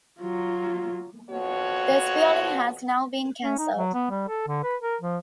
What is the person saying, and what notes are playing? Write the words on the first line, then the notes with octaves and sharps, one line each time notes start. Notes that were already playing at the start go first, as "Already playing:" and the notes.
This building has now been cancelled.
F#3 F4
F2 B2 F#4 C#5
C#4
D#4
F#3
B3
G3
A4
D3
B4
A#4
F3